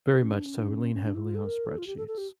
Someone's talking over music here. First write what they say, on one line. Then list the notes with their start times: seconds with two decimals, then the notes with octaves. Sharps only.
very much so, we lean heavily on spreadsheets.
0.21 C#4
0.33 D4
0.44 C#4
0.56 D4
0.67 C#4
0.94 C#4
1.03 D4
1.14 E4
1.24 F4
1.34 A4
1.45 A#4
1.65 A4
1.78 F4
1.86 G4
1.97 A4
2.07 A4
2.17 G4